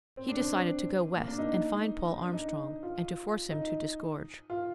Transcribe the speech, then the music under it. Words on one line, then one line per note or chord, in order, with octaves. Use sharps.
He decided to go west and find Paul Armstrong, and to force him to disgorge.
C4
D4
C4
A#3
D4
D#4
D4
D#4
F4
D#4
F4